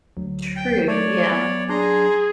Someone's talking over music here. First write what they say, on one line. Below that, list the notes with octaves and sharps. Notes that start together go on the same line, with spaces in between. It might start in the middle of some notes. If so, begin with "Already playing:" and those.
True, yeah.
D2 F#3
G5
A3 C#5 D5
B3
D4 G#4 A#5 C6